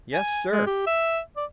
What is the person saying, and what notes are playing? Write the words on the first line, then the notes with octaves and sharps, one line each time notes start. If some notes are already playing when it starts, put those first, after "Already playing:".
"Yes, sir."
G#5
G#3
G4
E5
D5